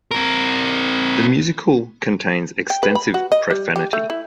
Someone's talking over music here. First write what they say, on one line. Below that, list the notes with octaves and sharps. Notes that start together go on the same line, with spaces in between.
The musical contains extensive profanity.
C4 A#4
G5
B4
B5
F#4
D#5
G3
G4
A3
E4